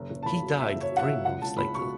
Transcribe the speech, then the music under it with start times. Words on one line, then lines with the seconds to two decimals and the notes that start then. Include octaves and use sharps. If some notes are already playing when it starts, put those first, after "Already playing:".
He died three months later.
Already playing: F#1
0.10 F#1
0.23 A5
0.26 F#1 B5
0.43 F#3
0.59 F#3 E5
0.76 F#1
0.81 C#5
0.92 F#3 F#5
1.03 E5
1.09 F#1
1.25 C#2 F#5
1.41 C#2 A5
1.58 C#2 B5
1.74 B2 C#6